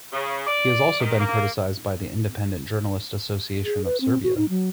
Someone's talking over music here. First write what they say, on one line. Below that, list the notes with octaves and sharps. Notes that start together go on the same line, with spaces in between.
He has also been criticized by the Independent Journalist Association of Serbia.
C#3
D5
D#3
A#3
G#4
B4
C4
F#4
D#4
F#3